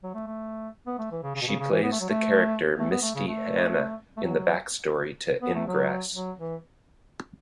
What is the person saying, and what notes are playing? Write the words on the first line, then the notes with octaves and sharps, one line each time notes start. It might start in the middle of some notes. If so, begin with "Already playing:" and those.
She plays the character Misty Hannah in the backstory to "Ingress".
F#3
A3
A3
B3
A3
E3
C#3
C#3
B2
C#3
C#3
E3
B3
A3
F#3
A3
A3
B3
A3
C#3
A3
A3
F#3
B3
A3
F#3
F#3
E3